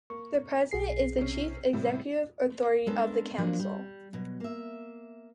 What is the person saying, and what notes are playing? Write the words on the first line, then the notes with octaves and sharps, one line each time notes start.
The president is the chief executive Authority of the Council.
A#3 C#6
B1 G#4 C7
C3 C#4
A2 C3 G3
G#3 B3 C#4 D4 A4 A#4
F3 F#3 A#3 D4
G3
B2 F#3
A#3 E5